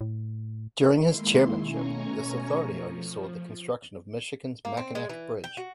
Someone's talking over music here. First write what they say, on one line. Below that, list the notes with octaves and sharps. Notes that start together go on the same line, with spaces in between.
During his chairmanship, this authority oversaw the construction of Michigan's Mackinac Bridge.
A2
D#3 G#3 A#3 E4 C6
B2 A3 C#4 G#5 A#5 C#6
F3
A#3
C4
G#3
E3
G5
F#4